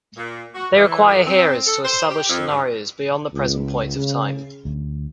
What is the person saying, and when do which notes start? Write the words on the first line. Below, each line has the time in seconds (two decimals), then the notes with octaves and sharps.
They require hearers to establish scenarios beyond the present point of time.
0.17 A#2
0.55 F#4
0.76 E3
1.06 F2
1.27 C4
1.66 A4
1.85 C5
2.10 G4
2.29 F2
2.48 G2
3.33 C#2
3.96 C#3
4.65 D2